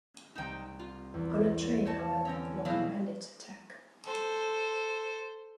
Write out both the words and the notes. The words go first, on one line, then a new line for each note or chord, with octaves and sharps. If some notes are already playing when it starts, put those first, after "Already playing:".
On a train however, local bandits attack.
C2 D#4 G5 E7
F4
E2
A3 F#4 C#5 A5
D3 C4 C#4
B2 F#3 G#3 C4 E4 F5
A4 C5